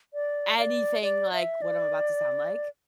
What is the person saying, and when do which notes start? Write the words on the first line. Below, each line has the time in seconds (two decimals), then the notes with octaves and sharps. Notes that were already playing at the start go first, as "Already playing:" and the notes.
Anything like what I'm about to sound like.
0.14 D5
0.58 D5
1.02 D5
1.33 E5
1.62 D5